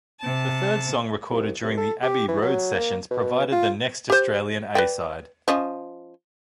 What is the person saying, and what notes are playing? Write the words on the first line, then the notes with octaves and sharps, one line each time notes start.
The third song recorded during the Abbey Road sessions provided the next Australian A-side.
C3 A5
C2
C2
A4
G4
E3
F#3
A#3
B2
F4
G4 C5
B4 D5 G5
F3 C#4 D#5